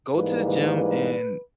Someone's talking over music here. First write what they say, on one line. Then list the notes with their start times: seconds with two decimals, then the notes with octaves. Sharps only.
"Go to the gym and
0.15 G#2 E3 G3 A#3 B4
0.46 B4
0.76 B4